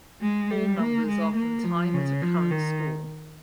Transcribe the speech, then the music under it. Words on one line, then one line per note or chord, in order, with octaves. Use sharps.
All numbers are from time at current school.
G#3
G3
A#3
G#3
A#3
F3
C#3
F3
D#3